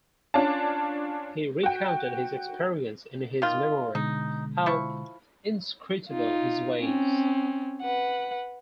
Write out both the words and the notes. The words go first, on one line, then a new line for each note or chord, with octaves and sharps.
He recounted his experience in his memoir, How Inscrutable His Ways!
C#4 D4 F4 C#5 F5 A5
F#4 G5
D#3 F4
B2 D3 G#3 D#4
F3 E4 C#6
D#4 F4
C4 C#4
B4 F#5